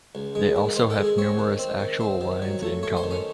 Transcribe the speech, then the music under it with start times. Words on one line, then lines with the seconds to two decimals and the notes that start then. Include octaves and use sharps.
They also have numerous actual lines in common.
0.15 C#2
0.35 G#3
0.56 D#3
0.76 D#3 C5
0.90 A4
0.97 G#3
1.04 G#4
1.18 C4 C#5
1.39 D#3
1.59 C4
1.80 D#3
2.01 C4
2.21 D#3
2.42 F#3
2.63 A3
2.83 A3 C#5
2.97 C5
3.04 D#3
3.11 C#4